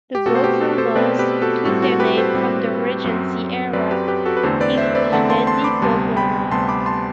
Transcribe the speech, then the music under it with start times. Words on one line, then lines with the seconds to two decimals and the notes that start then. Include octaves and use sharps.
The Beau Brummels took their name from the Regency era English dandy Beau Brummel.
0.15 G4
0.26 B2 A3 C4 F#4 A4
0.35 C5
0.44 G4 B4
0.61 F#4 A4
0.78 A4 C5
0.95 B2 A3 C4 B4 D5
1.19 G4 B4
1.42 F#4 A4
1.65 A2 G3 C4 F#4 A4
1.82 F#4 A4
2.00 G4 B4
2.17 A4 C5
2.35 A2 G3 C4
3.04 F#2 F#3 C4
3.73 F#2 F#3 C4 B4 D5
3.91 G4 B4
4.08 G4 B4
4.25 F#4 A4
4.37 B4
4.43 E2 D3 A3 C4 A4 C5
4.60 B4 D5
4.78 C5 E5
4.95 B4 D5
5.12 E2 D3 A3 C4 F#5 A5
5.30 A5 C6
5.47 A5 C6
5.64 B5 D6
5.82 D2 C3 G3 B3 A5 C6
6.17 G5 B5
6.51 D2 C3 G3 B3 A5 C6
6.69 B5 D6
6.86 A5 C6